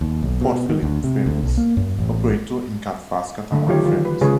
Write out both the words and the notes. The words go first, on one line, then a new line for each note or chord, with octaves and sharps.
Port Phillip Ferries operate two Incat fast catamaran ferries.
D#2
B1
B2
D#3
D2
C3
D2
B1
A#3
F#2
A1
D3 A3
D#3 F#3 F4 G4 C#5
E3 F4
B4
C#3 G#3 F4 G#4 B4 C#5